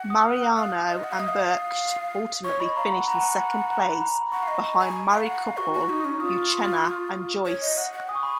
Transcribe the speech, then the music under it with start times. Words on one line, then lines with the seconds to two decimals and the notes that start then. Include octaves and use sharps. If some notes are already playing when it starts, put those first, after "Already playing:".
Mariano and Brkich ultimately finished in second place behind married couple, Uchenna and Joyce.
Already playing: F#5
0.10 D#6
0.25 F6
0.42 F#6
0.57 F5 F6
0.88 D#5
1.04 F#5
1.12 F5
1.20 D#5 D#6
1.28 F5
2.44 C#5 C#6
2.60 D#5 B5
2.76 F5 A#5
2.92 F#5 B5
3.07 F#5 A#5
3.15 G#5
3.23 A#5
3.70 A#5
3.85 B5
4.01 A#5
4.16 B5
4.32 F#5 C#6
4.43 F5
4.48 D#5
4.64 D#5
4.79 G#5
5.11 F5
5.27 F#5
5.42 F5
5.58 F#4 C#6
5.74 F#4
5.89 D#4
6.05 C#4
6.20 F4 D#6
7.46 C#5
7.62 D#5
7.77 F#5
7.93 F#5
8.08 G#5 D#6
8.15 C#6
8.23 B5